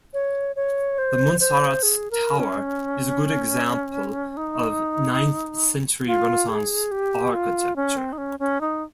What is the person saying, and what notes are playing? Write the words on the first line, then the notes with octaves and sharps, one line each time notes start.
The Muntsaratz Tower is a good example of ninth century Renaissance architecture.
C#5
C#5
C5
C5
G#4
A#4
C#4
D#4
F4
G#4
G4
F4
C#4
C4
D#4
C#4
C#4
D#4